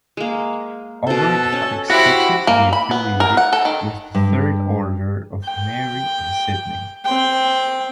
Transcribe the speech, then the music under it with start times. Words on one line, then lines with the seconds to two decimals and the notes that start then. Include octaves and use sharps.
Aubert had expected to be affiliated with the Third Order of Mary in Sydney.
0.17 G#3 A#3
1.07 B2 A4 C5
1.53 C#4
1.90 E4 F#4 G4 C5 F5 F#5
2.47 A#3
2.73 B5
2.91 B3
3.20 A#4
3.37 F#5
3.53 A4
3.65 D#3
4.15 G2
5.45 G5
7.05 C4 G5